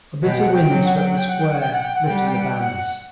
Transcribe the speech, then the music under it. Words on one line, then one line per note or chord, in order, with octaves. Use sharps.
A bitter wind swept the Square, lifting the banners.
B2 F#5
G5
F#5
G5
F#3
F#5
G5
F#5
G5
F#5
G5
F#5
G5
F#5
G5
F#5
G3 G5
F#5
G5
F#5
G5
F#5